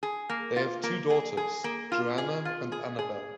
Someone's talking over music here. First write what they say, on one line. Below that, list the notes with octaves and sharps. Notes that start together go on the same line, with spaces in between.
They have two daughters, Joanna and Anabel.
G#4
A#3
F4
A#3
G#4
G#4
A#3
F4
G#4
F4
G#4
G#4